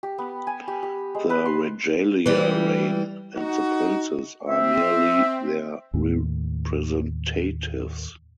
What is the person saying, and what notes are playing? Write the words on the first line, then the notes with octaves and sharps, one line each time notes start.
The regalia reign, and the princes are merely their representatives.
G4
B3
G#5
G4
G4
G#3
B4
C6
E3 G3
D#4 F#4
C4 E5
D#2 A2